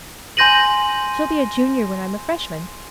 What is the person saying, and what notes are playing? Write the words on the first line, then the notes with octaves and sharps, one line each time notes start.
She'll be a junior when I'm a freshman.
G#5 C6 G6 A#6 D#7 F#7